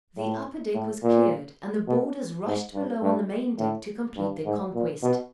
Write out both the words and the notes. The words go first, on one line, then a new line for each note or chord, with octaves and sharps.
The upper deck was cleared, and the boarders rushed below on the main deck to complete their conquest.
A2
A2
A#2
B2
G#2
G2
G2
A2
G2
G#2
A#2
B2